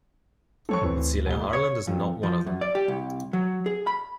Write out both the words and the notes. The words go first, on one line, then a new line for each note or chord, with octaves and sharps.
But Celia Harland is not one of them.
F3 A4 C#5 C#6
D2 E3 C4
D#1 A1 G7
C#5
F2
F3
F#2
D5
G4
C2
F#3
G#4
B5